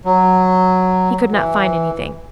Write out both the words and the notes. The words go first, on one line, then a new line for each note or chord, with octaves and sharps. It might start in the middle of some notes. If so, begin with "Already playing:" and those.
He could not find anything.
F#3
E3